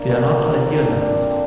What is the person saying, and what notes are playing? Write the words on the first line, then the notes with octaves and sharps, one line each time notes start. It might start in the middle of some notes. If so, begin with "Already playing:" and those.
They are not idealized.
Already playing: F3 A#3 D4
D3 C4 F4
C4 F4
D3
D4
F3
D4
A#3 C4
D4
D3
C4
D3
C4